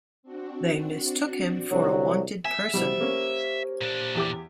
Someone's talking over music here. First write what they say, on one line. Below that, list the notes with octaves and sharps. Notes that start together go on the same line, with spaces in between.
They mistook him for a wanted person.
C4 D4 F#4
C2 F#3
E5 G#5
B2 E3 G3 G4 C5
A#3 C#4
A#2 D4
E2 G4 D6